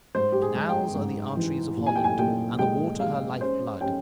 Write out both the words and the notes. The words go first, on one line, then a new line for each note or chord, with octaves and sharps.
The canals are the arteries of Holland, and the water her life-blood.
G#2 C5
G4
G#4
G#3
G5
G#2
E3
A#2
G#5
G5
G#5
A#2 G5
G#3 G5
G#3 F5
C#4 C5
C#4 G5